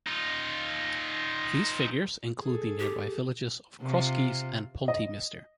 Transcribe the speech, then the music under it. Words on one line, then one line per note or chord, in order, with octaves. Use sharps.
These figures include the nearby villages of Crosskeys and Pontymister.
D#4 F4
G#4 A4
G4
C3 F4
D#5